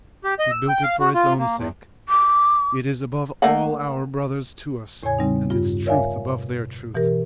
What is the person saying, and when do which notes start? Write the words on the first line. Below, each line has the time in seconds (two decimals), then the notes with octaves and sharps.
We built it for its own sake. It is above all our brothers to us, and its truth above their truth.
0.24 G4
0.39 D#5
0.51 E6
0.69 G5
0.83 F5
1.00 F#4
1.15 F4
1.39 A#3
1.56 E2
2.09 D6
3.42 A3 A#3 F#5
5.03 E2 A2 C#3 C#5 G#5 G#6
5.19 C#3 G3 C4 D#4
5.50 G2 F4
5.86 A#4 C#5 D5 E5 F5 G#5
6.29 B2
6.94 B2 E3 G4 A#4